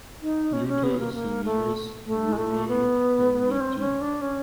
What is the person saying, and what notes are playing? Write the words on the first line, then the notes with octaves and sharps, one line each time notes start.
Mutal is the nearest rural locality.
D#4
C#4
C#4
B3
A#3
A#3
A3
A3
G#3
A3
B3
C#4
C4
C#4
D4
C#4